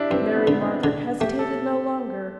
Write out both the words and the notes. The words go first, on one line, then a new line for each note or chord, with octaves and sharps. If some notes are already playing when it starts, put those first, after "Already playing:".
Mary Margaret hesitated no longer.
Already playing: D4 E4 G4
G2 C4
B3
D3
C4
D3 D4
A3 G4
A4